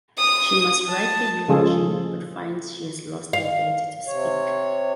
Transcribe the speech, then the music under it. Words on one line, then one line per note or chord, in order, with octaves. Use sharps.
She must write the eulogy but finds she has lost the ability to speak.
D#6
A5
C#3 F3 G#3 F4 G#4 A4
F5
C3 C#5